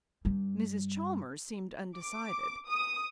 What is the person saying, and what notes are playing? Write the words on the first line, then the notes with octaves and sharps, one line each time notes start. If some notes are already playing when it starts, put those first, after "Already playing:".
Mrs. Chalmers seemed undecided.
G2 G3
D6
D#6